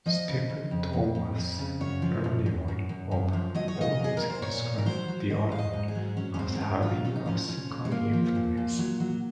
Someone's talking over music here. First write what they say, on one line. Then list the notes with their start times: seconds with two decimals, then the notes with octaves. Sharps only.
Stephen Thomas Erlewine of Allmusic described the album as having a ska influence.
0.06 F3 D#5
0.28 C#3
0.50 C#3
0.71 F2
0.93 F2
1.15 F2
1.37 F2
1.59 C#3
1.81 F#2 C#5
2.02 F3
2.24 F#2
2.46 F#2
2.68 F#2
2.89 F#2
3.11 F#2
3.33 F3
3.55 F#3 D#5
3.68 C#5
3.77 A#2 D#5
3.99 F#3 G#4
4.17 A#2 A#4
4.30 C5
4.42 A#2 C#5
4.64 A#2
4.78 A#4
4.86 F#3 C5
5.08 F#3
5.30 G#2 D#5
5.51 G#2 F5
5.58 D#5
5.73 G#2
5.88 G#4
5.95 F#3
6.17 F#3 C#4
6.34 C#4
6.39 G#2 C4
6.55 C4
6.60 G#2 C#4
6.82 F#3 F4
7.04 A#2 C#4
7.16 D#4
7.26 F3 C#4
7.48 F3 C#4
7.70 A#2
7.85 G#3
7.91 A#2 A#3
8.13 F3
8.35 A#2
8.57 A#2
8.79 F#3
9.00 F#3